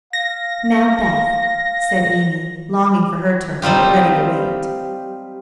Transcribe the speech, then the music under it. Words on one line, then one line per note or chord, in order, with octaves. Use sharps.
"Now, Beth," said Amy, longing for her turn, but ready to wait.
F5 A#6
G3 C4 D#4 F4 G4